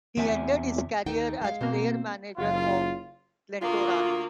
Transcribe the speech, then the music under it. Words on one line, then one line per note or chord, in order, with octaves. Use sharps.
He ended his career as player-manager of Glentoran.
E2 C3 E5 G#5
D#2 D#4 G5
G#3 F5
B2 A#3 C4
F#1 F4
D2 A#3 F4